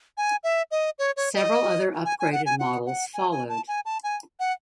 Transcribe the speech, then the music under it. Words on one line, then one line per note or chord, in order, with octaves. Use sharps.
Several other upgraded models followed.
G#5
E5
D#5
C#5
C#5
D#5
G#5
G#5
F#5
G#5
F#5
F#5
G#5
G#5
A5
G#5
A5
G#5
F#5